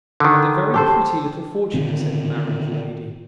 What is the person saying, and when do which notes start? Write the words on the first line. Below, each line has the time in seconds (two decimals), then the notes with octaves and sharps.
'And a very pretty little fortune,' said the married lady.
0.20 D3 D#3
0.74 G4 A4 C5
1.74 D3 D#3 C4